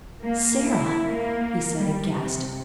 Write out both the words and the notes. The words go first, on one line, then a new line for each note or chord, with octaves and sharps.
"Sara!" he said, aghast.
A#3
E4
A#3
G3
C3